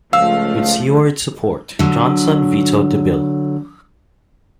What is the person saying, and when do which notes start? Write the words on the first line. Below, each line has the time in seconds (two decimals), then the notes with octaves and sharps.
With Seward's support, Johnson vetoed the bill.
0.13 C#2 F3 A3 F5 E6
1.79 D3 F#3